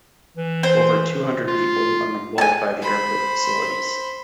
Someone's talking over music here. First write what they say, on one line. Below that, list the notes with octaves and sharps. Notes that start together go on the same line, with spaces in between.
Over two hundred people are employed by the airport facilities.
E3
C5
F4
G#5 A5
C5 B5